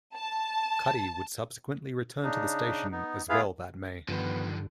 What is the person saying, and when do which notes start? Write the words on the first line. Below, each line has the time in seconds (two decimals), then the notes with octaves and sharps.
Cuddy would subsequently return to the station as well that May.
0.17 A5
2.24 C#3 D4 D#4
2.92 B3 D#4
3.29 B3 E4 F4 G#4 B4 F5
4.09 G2 D3 D#3 F3 B3